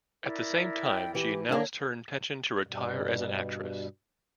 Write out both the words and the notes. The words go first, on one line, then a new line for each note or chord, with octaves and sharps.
At the same time she announced her intention to retire as an actress.
E4 A#4 D5
G5
E3 G4
A#3 D4 C#5
G2 B2 G3